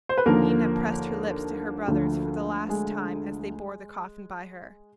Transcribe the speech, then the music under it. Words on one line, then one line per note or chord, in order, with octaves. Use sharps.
Nina pressed her lips to her brother's for the last time as they bore the coffin by her.
C5
B4
D#2 D3 F3 A#3 A#4
D2 D3 F3
G#3 G#4